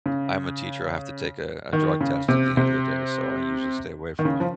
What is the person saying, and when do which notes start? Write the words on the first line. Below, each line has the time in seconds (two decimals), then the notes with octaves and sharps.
I'm a teacher. I have to take a a drug test at the end of the day, so I usually stay away from it.
0.06 C#3
1.73 D#3
2.01 C#3
2.28 C3
2.57 C3
4.19 D#3
4.25 C#3
4.40 F3